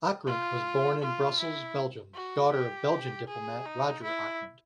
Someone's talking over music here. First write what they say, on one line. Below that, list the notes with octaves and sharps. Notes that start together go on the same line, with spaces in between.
Ockrent was born in Brussels, Belgium, daughter of Belgian diplomat Roger Ockrent.
F4
F4
E4
F#4
G4
G#4
D#4
E4